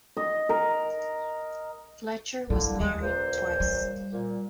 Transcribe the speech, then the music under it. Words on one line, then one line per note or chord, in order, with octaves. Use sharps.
Fletcher was married twice.
D#5
A#4
D3 F3 A#3 E4
D#2 G#3
C#2 A#2 C5
G3
A#2